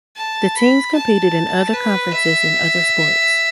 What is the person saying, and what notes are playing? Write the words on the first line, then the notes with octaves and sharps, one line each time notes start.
The teams competed in other conferences in other sports.
A5
B5
A5
B4
E5